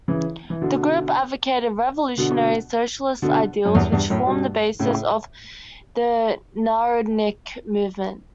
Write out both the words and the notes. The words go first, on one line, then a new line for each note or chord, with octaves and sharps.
The group advocated revolutionary socialist ideals which formed the basis of the Narodnik movement.
C#3 E3
E3
B2 D3
B2 D3
B2 D3
F#2
E2 G2
E2 G2
F#2 A2
G2 B2
A2 C#3